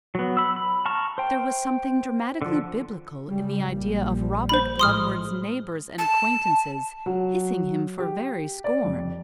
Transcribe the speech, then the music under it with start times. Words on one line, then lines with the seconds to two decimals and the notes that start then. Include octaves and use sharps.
There was something dramatically biblical in the idea of Robert Bludward's neighbours and acquaintances hissing him for very scorn.
0.15 F#3 B3
0.37 B5 E6
0.56 B5
0.86 A5 A#5 C#6 F6
1.18 C5 G5
2.42 D3 F3
3.26 C#3 G3
3.67 A#1 A#2 G3
4.49 C5 B5
4.79 A2 F3 G#3 C6 D#6 F6
5.98 A5
7.06 F#3
7.99 G4
8.64 D5
8.85 F2